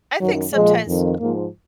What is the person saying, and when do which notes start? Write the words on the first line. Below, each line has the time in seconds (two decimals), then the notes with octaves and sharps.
I think sometimes
0.19 F#2 D#3 F#3
0.53 A#2 F3 G#3
0.87 F2 D#3
1.20 G#2 F3 A#3